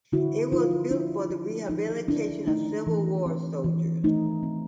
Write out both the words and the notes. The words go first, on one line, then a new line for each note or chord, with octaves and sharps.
It was built for the rehabilitation of Civil War soldiers.
D3 E4 F#4
F3 D#4 F4
D3 D4 E4
F3
F3 D#4
D3 D4 E4
A3 D#4
E3
C4
E3
A3 D#4
C4